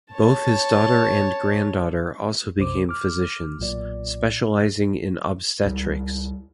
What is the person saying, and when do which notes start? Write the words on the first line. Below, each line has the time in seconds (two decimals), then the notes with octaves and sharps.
Both his daughter and granddaughter also became physicians, specializing in obstetrics.
0.12 C#5 A5
2.57 B1 F#2 C3 C5 D6
2.89 D6 F6
3.60 B1 A#2 D5
5.65 C#2 G3